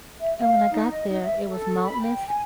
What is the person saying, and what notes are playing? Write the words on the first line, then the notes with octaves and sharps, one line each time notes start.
and when I got there, it was mountainous,
E5
F5
D#4
D#5
D#4
E5
A4
B5
G5
G#5